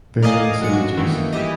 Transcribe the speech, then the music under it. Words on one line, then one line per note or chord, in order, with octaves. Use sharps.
Various images.
A#4 D5 D#5 F5 G#5 D#6
F#3 G#3 C#7
F#4
D#3 E3 A3 A#3
E3 G3 G4 D#5